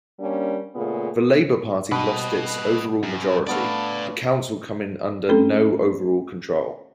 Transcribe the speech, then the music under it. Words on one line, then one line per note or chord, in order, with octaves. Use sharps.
The Labour Party lost its overall majority, the council coming under no overall control.
G3 A#3 C#4 D4
A#2 C#3 A3 B3 G#4
B2 G3 B4 D#5
F#2
A3 B3 D4 D5 F5
A3 C4 C#4 A4